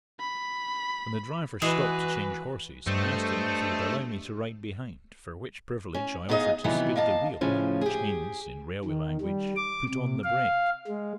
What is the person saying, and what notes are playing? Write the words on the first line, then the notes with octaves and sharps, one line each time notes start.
When the driver stopped to change horses, I asked him if he would allow me to ride behind, for which privilege I offered to skid the wheel, which means, in railway language, put on the brake.
B5
E3 G#3 F#4 G#4 B4
G2 A3 A4 C5 D#5
C#4
B3 D#4 G#4 A4 D#5 F5
C3 D#3 E3 F#3 G3 B3
A#3 D#5 F5 A5
A2 C#3 F3 C#4
G4 G#4
D#3
G3
D6
C3
F5
G#3